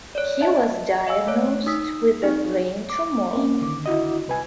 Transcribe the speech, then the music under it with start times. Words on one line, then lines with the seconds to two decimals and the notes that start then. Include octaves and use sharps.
He was diagnosed with a brain tumour.
0.15 C#5 D5
0.41 D#5 E5 A5
1.07 D#5 F5 G#5 E6
1.27 A3 C#5
1.66 D#4 D#6 E6 B6
2.22 C4 D#4 G#4
2.90 D6
3.33 A#3 C4 C#4
3.61 D3 D#3 D6
3.86 E4 F#4 D#5
4.28 C2 B4 G#5